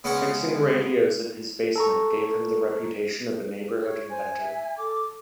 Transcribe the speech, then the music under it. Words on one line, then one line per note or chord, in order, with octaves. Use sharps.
Fixing radios in his basement gave him the reputation of a neighborhood inventor.
C#3 G#3 B3 C#4 F#5 C#6
A4 A#5 C#6
C#5
C5 G#5
E5
A4 D6